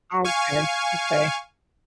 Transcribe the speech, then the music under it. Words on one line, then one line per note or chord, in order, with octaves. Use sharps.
Okay, okay.
F5 G#5 C#6